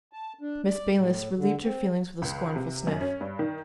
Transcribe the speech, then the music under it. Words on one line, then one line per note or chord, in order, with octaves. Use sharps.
Miss Baylis relieved her feelings with a scornful sniff.
A5
D4
D5
A2
D3
C4
C#2
C3
F#2
C#4
G2
D#3